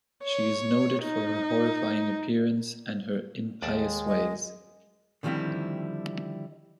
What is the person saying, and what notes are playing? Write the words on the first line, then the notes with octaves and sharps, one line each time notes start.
She is noted for her horrifying appearance and her impious ways.
C#5
D#4
D#2 G#3 D5 A5
D#5
D3 D#3 F3 G3 C4 E4